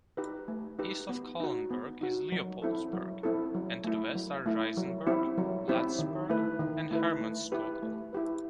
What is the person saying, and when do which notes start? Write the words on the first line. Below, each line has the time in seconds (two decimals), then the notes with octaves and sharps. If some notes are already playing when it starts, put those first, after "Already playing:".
East of Kahlenberg is Leopoldsberg; and to the west are Reisenberg, Latisberg, and Hermannskogel.
0.17 D#4 G4 B4
0.48 A3
0.79 D#4 G4 B4
1.09 B3
1.40 D#4 F#4
1.71 B3
2.01 D#4 F#4
2.32 F#3
2.62 C4 E4 A4
2.93 F#3
3.23 C4 E4 A4
3.54 F#3
3.84 A3 E4
4.15 F#3
4.46 A3 E4
4.77 F#3
5.07 C4 E4 G4
5.38 F#3
5.68 C4 E4 G4
5.99 D#3
6.30 A3 E4 B4
6.60 D#3
6.91 A3 E4 B4
7.21 A3
7.52 E4 G4 B4
7.83 A3
8.13 E4 G4 B4